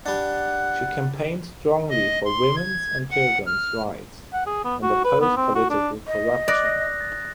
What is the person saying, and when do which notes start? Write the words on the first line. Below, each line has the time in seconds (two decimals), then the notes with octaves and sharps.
She campaigned strongly for women's and children's rights, and opposed political corruption.
0.06 G3 D4 F#5
1.90 D#5
2.25 C6
2.56 G#6
3.11 F#5
3.46 F6
4.33 F#5
4.46 G#4
4.64 B3
4.82 F#4
5.04 B4
5.21 B3
5.36 C4
5.55 F#4
5.70 D4
6.07 D#5
6.48 D5 D#6 F#6 A#6
7.01 A6